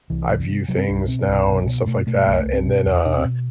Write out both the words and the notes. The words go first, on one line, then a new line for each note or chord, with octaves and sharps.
I view things now and stuff like that, and then, uh,
C2 E3
C3
C3
C3 F#3
C4
C2 D4
D4
B2 C4
C2
B2
B2
B2 A3
B2 A3
C2 A3
A3
C2
C4
B2
E2
B2 D4
C4
B2